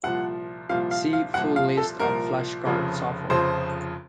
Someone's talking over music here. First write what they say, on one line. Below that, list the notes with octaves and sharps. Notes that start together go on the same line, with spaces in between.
See full list of flashcard software.
C2 A#2 F3 F#5
C2 A#2 F3 F5
F5
F5
C2 A#2 F3 F#5
F5
A4
C2 A#2 F3 A#4
F1 F2 C#3 F3
F1 F2 C#3 F3 C5